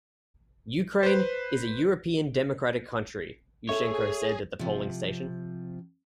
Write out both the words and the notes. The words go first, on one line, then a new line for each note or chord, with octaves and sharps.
"Ukraine is a European democratic country", Yushchenko said at the polling station.
B4 C5
G#4 A4 C#5 E5
C3 F3